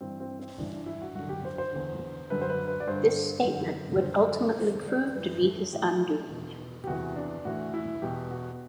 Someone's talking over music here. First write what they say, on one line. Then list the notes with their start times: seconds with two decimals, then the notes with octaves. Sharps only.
This statement would ultimately prove to be his undoing.
0.01 G2 E3 C4
0.20 C4
0.39 C4
0.58 G2 E3 D4
0.72 D4
0.86 E4
1.01 F#4
1.15 F#2 D3 F#4
1.29 G4
1.45 C5
1.58 C5
1.73 E2 D3
2.30 F#2 D3 B4
2.41 C5
2.49 B4
2.67 B4
2.80 D5
2.87 G2 D3 C5
3.45 F#2 D3
4.01 F#2 D3 C5
4.58 E2 D3 C5
4.86 D5
5.15 F#2 E3 B4
5.45 A4
5.73 A2 E3 G4
6.30 E2 B2
6.84 G4
6.87 E2 C3 E3 F#4
7.16 D4
7.45 A2 E3 F#4
7.74 E4
8.02 E2 B2 G4
8.31 F#4